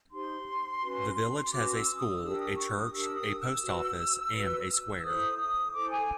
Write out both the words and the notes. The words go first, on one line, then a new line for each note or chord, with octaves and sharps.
The village has a school, a church, a post office, and a square.
D#4 G4 C5 C6
C#4 F#4 B4
C#4 F#4 B4 D6
E6
D#6
D4 G4 A#4 E6
D#6
C#6
D#6
D4 G4 A#4 E6
D#6
E6
F#4 B4
F#4 B4
E4 A4 C5 D#6
D#6
E4 A4 C5 D6
G#5